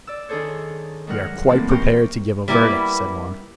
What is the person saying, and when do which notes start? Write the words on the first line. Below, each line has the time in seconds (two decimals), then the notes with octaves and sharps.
"And we are quite prepared to give a verdict," said one.
0.07 D5 E6
0.29 D#3 D4 G#4 A4 C5 C#5
1.07 G#2 F#3 G3 A#4 F#5 F6
1.49 A2 E3 A#3 C4 A5
1.71 G4 A#4 C5 G5 C#6
2.48 G3 A#3 B3 E4 B4